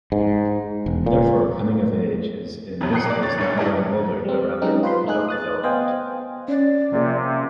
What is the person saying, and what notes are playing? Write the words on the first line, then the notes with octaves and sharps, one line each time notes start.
Therefore, coming-of-age is in this case not growing older but rather about development.
G#2
E1
A#2
F2 C3 F#3
G5 A#5 D#6 F#6 C7 C#7
A#3 D5
D2 C#5 A6
A#1 A#2 C#5 C#7
D4 E4 G4 G#4 A#4 D#5
G3 C4
F#3 G#3 C#4 D#4 G4
F4 B4 C5 B5 C6
A3 D#4 G#4 F#6
D#6 F#6 A6
B3 C5 D#5 F5 G5 G#5
C#4 D5
C3 F3 A#3 G#4